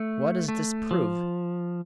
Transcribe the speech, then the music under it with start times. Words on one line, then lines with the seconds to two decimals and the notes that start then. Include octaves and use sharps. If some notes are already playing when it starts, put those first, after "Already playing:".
What does this prove?
Already playing: A3
0.48 A3
0.91 F3